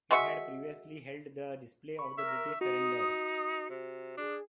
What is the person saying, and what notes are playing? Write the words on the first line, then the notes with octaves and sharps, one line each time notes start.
It had previously held the display of the British surrender.
G#3 F#4 E5 C#6
B5 C#6
A#4 E5
D#4 F#4 D#6
C3
D4 G#4